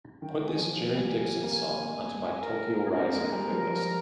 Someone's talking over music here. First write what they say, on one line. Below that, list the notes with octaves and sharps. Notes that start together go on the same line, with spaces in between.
Put this Jerry Dixon song onto my Tokyo Rising playlist.
D#3 G5
G#5
F3
G3 G#5
A#3
A#4
A#4
G#4
D4 A#4
C4
A#3
G#3
G3
F3
F3